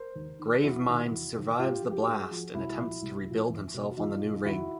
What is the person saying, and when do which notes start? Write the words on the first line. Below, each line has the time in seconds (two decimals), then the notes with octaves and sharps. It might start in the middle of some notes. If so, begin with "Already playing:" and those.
Gravemind survives the blast and attempts to rebuild himself on the new ring.
Already playing: A#4 C5
0.15 D#2
0.39 D#3
0.63 E2 E4 F#4
0.88 C3 D#3
1.11 E2
1.35 C3 D#3
1.59 G#2 F4 G4
1.82 F3 G#4
1.91 G4
2.00 F#4 G#4
2.07 G#2
2.31 F3
2.54 C2 E4 F#4
2.79 A#2 F3
3.02 C2
3.26 A#2 F3
3.49 E2
3.74 B2
3.91 F#4
3.97 E2 D#4 F4
4.21 B2
4.45 D#2 E4 F#4